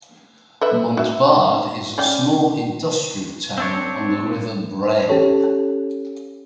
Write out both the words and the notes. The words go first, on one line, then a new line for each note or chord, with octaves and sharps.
Montbard is a small industrial town on the river Brenne.
A4 B4 E5
F#4 E5
C#4 D5 G5
C4 D4 C#5
C#4 G4 A4 C#5